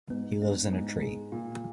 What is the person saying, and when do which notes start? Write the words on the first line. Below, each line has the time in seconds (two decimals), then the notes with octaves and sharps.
He lives in a tree.
0.10 G#2 B3
0.42 D4
0.71 G#2 B3
1.02 G#4
1.32 A#2 F4